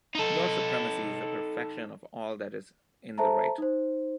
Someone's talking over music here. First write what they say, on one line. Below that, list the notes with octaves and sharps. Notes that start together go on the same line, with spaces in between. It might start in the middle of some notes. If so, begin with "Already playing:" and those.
Your supremacy is the perfection of all that is in the right.
D#4 A4
A4 C5 E5 A5 A#5
D#4 C5